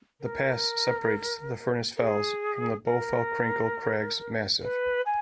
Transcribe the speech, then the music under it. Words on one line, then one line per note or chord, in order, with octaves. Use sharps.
The pass separates the Furness Fells from the Bowfell-Crinkle Crags massif.
A#4
A#4
G#4
A#4
B4
G#5